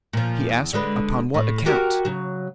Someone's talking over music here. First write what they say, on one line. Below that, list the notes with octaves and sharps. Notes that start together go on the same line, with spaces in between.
He asked, upon what account?
A#2 F3
E2
D3 G#3 B4
A2
F#4 G4 A#4
C#3 F#3